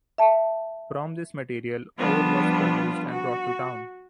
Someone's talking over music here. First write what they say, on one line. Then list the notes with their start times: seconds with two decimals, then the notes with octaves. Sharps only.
From this material, ore was produced and brought to town.
0.18 E5 A5
1.98 F3 G3 B3 D4 F4
3.09 F#4